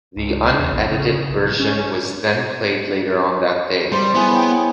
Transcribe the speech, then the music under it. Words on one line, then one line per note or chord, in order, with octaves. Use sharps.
The unedited version was then played later on that day.
C#2
E2
A#1
C#3
B1
C#4
G3 C5
B3 E4 G#4
C#5 G5